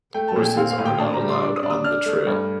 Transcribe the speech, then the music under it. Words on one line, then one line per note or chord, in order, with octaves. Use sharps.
Horses are not allowed on the trail.
A3 G5
A5
A#2
G5
C4 F5
F5
A2
G5
D4 A5
A#5
G3
C6
D4 D6
D#6
D4
D#6
D4 F6
A3
G2